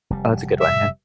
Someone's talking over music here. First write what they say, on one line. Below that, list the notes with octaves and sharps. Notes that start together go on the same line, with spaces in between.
Oh, that's a good one, yeah.
F1 G3
E5